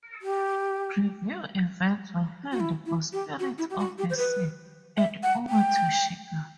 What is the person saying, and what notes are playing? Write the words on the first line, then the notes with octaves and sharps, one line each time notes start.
Preview events were held for "Spirits of the Sea" and "Uma to Shika".
G4
F#4
E4
E4
G4
F#4
E4
G4
F#4
G4
C5
B4
E5
F#5
G5